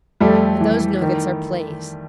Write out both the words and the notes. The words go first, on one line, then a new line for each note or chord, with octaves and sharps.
And those nuggets are plays.
F2 G3 A3
E3
D#3